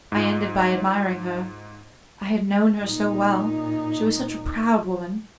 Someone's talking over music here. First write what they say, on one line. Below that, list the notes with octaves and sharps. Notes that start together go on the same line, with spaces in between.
I ended by admiring her. I had known her so well--she was such a proud woman!
G#2 F4
A#2 D#4